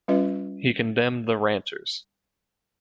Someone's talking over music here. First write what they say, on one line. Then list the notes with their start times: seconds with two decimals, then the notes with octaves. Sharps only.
He condemned the Ranters.
0.08 G3 C#4 F4 B4 D#5